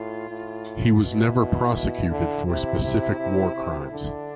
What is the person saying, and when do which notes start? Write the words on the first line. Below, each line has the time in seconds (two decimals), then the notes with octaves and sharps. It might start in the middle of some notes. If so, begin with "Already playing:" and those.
He was never prosecuted for specific war crimes.
Already playing: A2 F4
0.29 A2
1.02 B2 E4
1.37 B2
1.74 B2
2.10 D3
2.47 C3 E4
2.83 C3
3.19 C3
3.56 C3
3.92 D3 D4